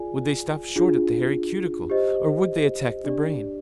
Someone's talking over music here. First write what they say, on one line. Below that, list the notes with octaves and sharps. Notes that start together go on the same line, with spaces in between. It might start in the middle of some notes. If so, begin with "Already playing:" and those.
Would they stop short at the hairy cuticle, or would they attack the brain?
Already playing: F4 G#4 D5 G#5
D4 F4 G#4
G4 C5 D#5
D4 G4 D5